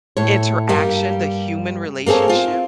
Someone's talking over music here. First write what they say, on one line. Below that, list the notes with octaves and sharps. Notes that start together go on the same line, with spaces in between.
interaction, the human relationship?"
A2 C#5
G2 G3 A#3
A#3 C4 G#4 A4 C#5
C4 F4